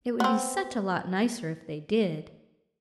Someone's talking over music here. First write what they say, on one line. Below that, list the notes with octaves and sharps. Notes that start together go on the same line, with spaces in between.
It would be such a lot nicer if they did!
B3 C4